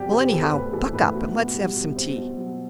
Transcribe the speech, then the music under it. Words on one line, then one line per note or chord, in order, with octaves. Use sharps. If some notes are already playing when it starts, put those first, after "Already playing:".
Well, anyhow, buck up, and let's have some tea.
Already playing: E2 C3 F#3 G4 D5
C4 G4
B3 A4
A2 B4
E3 A4
A2 B4
B3 F#4
B2
G3
B2
C4
B2
F#3